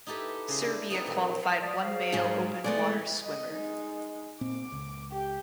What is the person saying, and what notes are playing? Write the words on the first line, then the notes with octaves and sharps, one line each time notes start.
Serbia qualified one male open water swimmer.
D#4 E4 G4 A4 B4
C#3 C6
D4 E4
B3 C4 D#4 F4
A#2 E3
D5 D#6
G#4 C5 F5
G#2 F#3 G3
G#3 A3 B3 D5
D#5
G#3 D#4
A#2 C4 D6
C#2
G4 G5